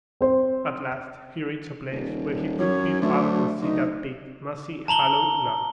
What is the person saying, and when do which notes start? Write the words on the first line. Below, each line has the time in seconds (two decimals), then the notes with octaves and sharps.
At last he reached a place where he could peep out and see that big, mossy, hollow log.
0.21 C4 C5
1.91 D#1
2.59 F#2 F#3 C#5
3.02 D2 A3
3.62 D2 D#4
4.88 A5 A#5 F#7 G7